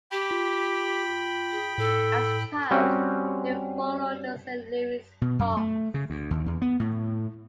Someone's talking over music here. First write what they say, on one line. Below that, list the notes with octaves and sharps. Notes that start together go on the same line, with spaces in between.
As a child, he followed the Saint Louis Hawks.
G4 G5 B5
F4
G#4
A2 A4
G3 C4 C#4 F#4
B2
F#2
A3
C#3
D2
D#2
E2
B3
A2